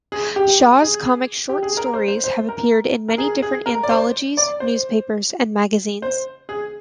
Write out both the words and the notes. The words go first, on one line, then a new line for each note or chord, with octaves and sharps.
Shaw's comic short stories have appeared in many different anthologies, newspapers and magazines.
G#4
G4
G#4
G4
G#4
A#4
C5
C5
C5
A#4
A#4
G#4
G#4
A#4
D5
C5
D5
C5
C5
G#4